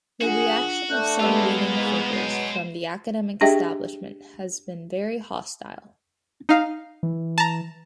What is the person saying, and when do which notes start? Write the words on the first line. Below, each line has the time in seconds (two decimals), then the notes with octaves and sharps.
The reaction of some leading figures from the academic establishment has been very hostile.
0.21 A#1 D4 F4 F#4 G#4 F#5
0.90 A3 D4 F#6 G6
1.20 G#3 A#3 B3 F4 G4 D#5 E6
1.76 C2 G#2 D#5 B6
2.12 B2 F#3 C5 G#5
3.41 D4 G4 G#4 D#5 E5 G5
6.49 D#4 F5
7.03 E3
7.38 A5 A#5